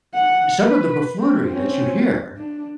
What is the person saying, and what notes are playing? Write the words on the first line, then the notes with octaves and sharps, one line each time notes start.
some of the buffoonery that you hear
F#5
B4
C4
C4 C#4
D4